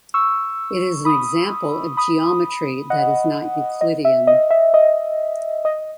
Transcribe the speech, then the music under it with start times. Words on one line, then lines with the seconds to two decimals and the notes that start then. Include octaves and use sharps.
It is an example of a geometry that is not Euclidean.
0.14 C#6 E6
1.05 B5 D#6
1.97 B5 D#6
2.90 D#5 F#5
3.81 D#5
4.05 E5
4.27 D#5
4.51 E5
4.74 D#5
5.65 D#5